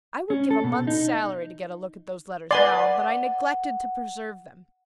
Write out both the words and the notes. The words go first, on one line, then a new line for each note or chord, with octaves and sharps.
I would give a month's salary to get a look at those letters now; but I neglected to preserve them.
C#4
A4
B2
D#4
B4 D5 F#5 G#5 C6